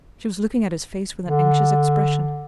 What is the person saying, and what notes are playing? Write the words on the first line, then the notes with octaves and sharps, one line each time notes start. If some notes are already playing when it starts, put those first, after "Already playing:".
She was looking at his face with an anxious expression.
D3